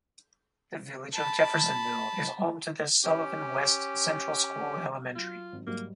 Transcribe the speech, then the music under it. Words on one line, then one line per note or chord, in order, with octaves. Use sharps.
The Village of Jeffersonville is home to the Sullivan West Central School elementary.
A5 B5
C#4 G4
F#3 F4
G#1 F#3
G#2 F#3 G3 A#3